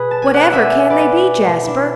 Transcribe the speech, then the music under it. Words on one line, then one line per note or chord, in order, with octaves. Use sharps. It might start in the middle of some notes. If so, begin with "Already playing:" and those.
"Whatever can they be, Jasper?"
Already playing: B2 G#4 B4
A5
G#5
D5 F#5
E5 G#5
B4 D5
B2
D4 E4